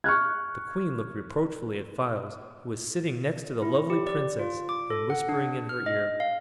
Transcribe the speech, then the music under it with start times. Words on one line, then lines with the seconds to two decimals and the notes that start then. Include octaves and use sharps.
The Queen looked reproachfully at Files, who was sitting next to the lovely Princess and whispering in her ear.
0.04 C#6 F6 F#6 G#6
3.62 E4
3.90 G4
4.07 D5
4.39 F4
4.69 D6
4.90 A4
5.10 F#5
5.29 D4
5.69 F6
5.86 D#5
6.20 F5